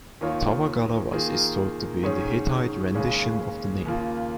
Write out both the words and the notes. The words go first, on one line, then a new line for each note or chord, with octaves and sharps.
"Tawagalawas" is thought to be the Hittite rendition of the name.
D#2 D#3 A#3 F4 C#5
D#3 A#3 F4 G#4
G#2 D#3 C#4 G#4 C#5
D#2 C#3 G#3 C#4 G#4
D#2 C#3 A#3 F4